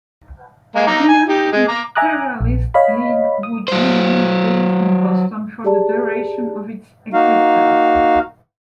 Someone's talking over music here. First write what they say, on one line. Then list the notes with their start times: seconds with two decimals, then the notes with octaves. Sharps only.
The Anti-Imperialist League would remain based in Boston for the duration of its existence.
0.75 G#3 A#3
0.87 D#4 A#5 D6
1.08 G#5
1.29 D#4 G4
1.52 G#3 G#4
1.68 A#5 D6
1.95 E5 G#5 A#5 D6 D#6 F#6
2.41 A#1
2.74 C#5 D#5 F5 B5
3.43 D#6
3.68 F#3 C5
5.64 G4 G#4 D5 A5 A#5
7.14 A#3 D#4 F#4 F5